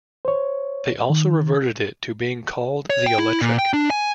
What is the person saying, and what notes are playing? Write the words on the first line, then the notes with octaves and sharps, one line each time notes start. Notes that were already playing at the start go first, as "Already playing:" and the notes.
They also reverted it to being called the Electric.
C5 C#5
D#3
C#5
G5
E4
A#2
G5
D4
G#5